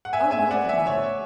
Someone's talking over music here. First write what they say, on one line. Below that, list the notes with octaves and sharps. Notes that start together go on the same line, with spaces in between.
"Oh no, papa."
F#5
E5 G#5
E5 G#5
D5 F#5
E5 G#5
C#5 E5